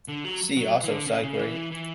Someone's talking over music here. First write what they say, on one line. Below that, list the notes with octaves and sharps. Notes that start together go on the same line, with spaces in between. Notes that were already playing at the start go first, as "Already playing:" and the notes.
See also: sidegrade.
D3
F#3
F#3
E3
D3
C#3
C#3
E3
E3